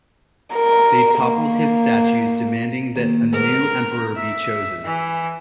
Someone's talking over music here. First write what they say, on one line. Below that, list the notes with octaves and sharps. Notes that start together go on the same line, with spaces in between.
They toppled his statues, demanding that a new emperor be chosen.
A#4
A#3
D#2
G#2 B3 A#4
E5
E3